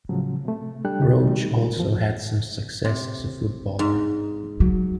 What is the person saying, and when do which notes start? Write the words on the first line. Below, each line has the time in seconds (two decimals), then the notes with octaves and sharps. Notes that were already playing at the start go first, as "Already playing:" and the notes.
Roach also had some success as a footballer.
0.09 A2 C#3 F3 F#3
0.45 C3 A3
0.85 G3 D4 A4 G5 F#6
1.01 E2 D#4 G4
1.21 D#3 G3 A3 D#4
1.76 E2 F3
2.85 C3
3.79 G#2
4.60 F#3